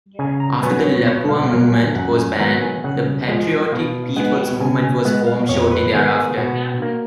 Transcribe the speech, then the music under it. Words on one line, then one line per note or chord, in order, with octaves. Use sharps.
After the Lapua Movement was banned, the Patriotic People's Movement was formed shortly thereafter.
C#3 G#5
A#5
F#3 B3 G#5
C#5
B2 C#5
F5
F#3 A#3 F5
G#5
F#2 F#5
G#5
D#3 F#3 B3 A#5
G#5
C#3 F#5
F3 G#3
B2 F5
G#3 B3 F#5
C#3 G#5
G#5
G#3 B3 F#5
F5
F2 C#5
B4
D#3 G#3 B3 G#4
G#4
B2 F#4
A#3